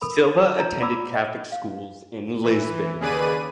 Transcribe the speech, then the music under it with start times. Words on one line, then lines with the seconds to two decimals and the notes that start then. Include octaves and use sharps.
Silva attended Catholic schools in Lisbon.
0.01 A4 A#4 B5
0.57 D#4 C#5 A#5
0.80 F4 D5 F#5 B5 D6 E6
1.14 D#5
1.52 F5
2.44 E3
3.00 D#2 C#3 G#4 B4 D5 D#7